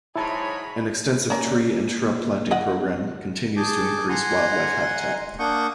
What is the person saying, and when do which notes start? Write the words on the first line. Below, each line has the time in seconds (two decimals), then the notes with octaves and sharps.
An extensive tree and shrub planting program continues to increase wildlife habitat.
0.16 G#2 F#3 E4 G#4 C#5 A5 B5
1.30 A#3 C#4 A#4 D5
2.51 A#4 D#5 F#5
2.79 C4
3.57 G#4 G#5 A5 D6 G6
4.09 F#5 G#5 A#5 C6
5.39 A#3 D4 F#5 C#6 D#6 G6